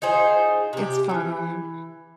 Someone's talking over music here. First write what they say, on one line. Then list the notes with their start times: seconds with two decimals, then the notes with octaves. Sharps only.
It's fine.
0.02 D#4 F4 G#4 C5
0.73 C3 G4
1.09 E3